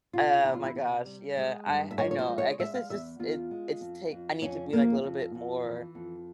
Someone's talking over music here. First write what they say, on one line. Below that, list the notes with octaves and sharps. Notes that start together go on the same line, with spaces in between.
Oh my gosh, yeah, I I know, I guess it's just, it it's t I need to be like a little bit more
C3 F4
E2 E4
F4
E4
C3
G3
G#3
G2
E5
F3 C#5
C#5
C5
G#3
C#5
G#3 E5
F5
E2 E5
E2 F4
G#3
F2
F2
F2 C#4
F2 A#3
F2
F2
E3
F2